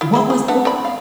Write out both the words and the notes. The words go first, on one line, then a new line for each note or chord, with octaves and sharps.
what was the
E4 F4
G#3 E4 G#4
G#4
D4 B4 F#5
C4 D5 B5
F5